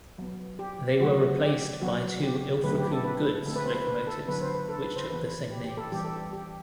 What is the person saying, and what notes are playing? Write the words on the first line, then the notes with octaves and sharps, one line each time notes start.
They were replaced by two "Ilfracombe Goods" locomotives which took the same names.
F#3 B3
G4
D3 F#3 A3 F#4
G4
F#3 B3 F#4
G4
D3 F#3 A3 C4 B4
G4
A4
B4
D3 A3 C4 A4
B4
C5
B4
B4
A4
D3 F#3 B3 B4
C5
B4
A4
B4
C5
E3 B3 B4
G4
G4
A4
E3 G3 B3 G4
A4
G4
G4